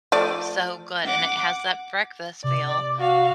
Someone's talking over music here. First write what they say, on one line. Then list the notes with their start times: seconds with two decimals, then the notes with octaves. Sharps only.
so good and it has that breakfast feel,
0.12 F3 A3 D5
1.04 F#5 D6
2.44 C3 D5
2.99 F#4 F5